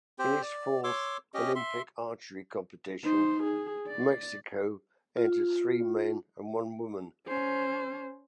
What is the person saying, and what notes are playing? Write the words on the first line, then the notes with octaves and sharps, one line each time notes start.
In its fourth Olympic archery competition, Mexico entered three men and one woman.
C4 G4 C5
D5
C#5 C6 D6 E6
C#4 G4 D#5
E5 C6
D#4 C5
G#4
D5
F4
C#4 C5